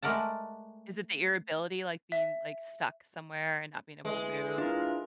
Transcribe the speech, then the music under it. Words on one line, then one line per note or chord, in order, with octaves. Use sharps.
Is it the irritability, like, being, like, stuck somewhere and not being able to move?
G#3 A3 A#4 D5 F#5 A5
E5
E3 G#3
D4 E4 F4 A#4